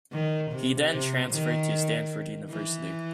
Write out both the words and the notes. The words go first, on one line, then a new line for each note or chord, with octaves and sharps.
He then transferred to Stanford University.
D#3
C3
C3
D#3
E3